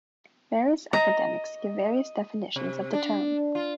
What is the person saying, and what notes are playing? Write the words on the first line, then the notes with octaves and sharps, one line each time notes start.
Various academics give various definitions of the term.
D#5 A#5
C3
D4
F4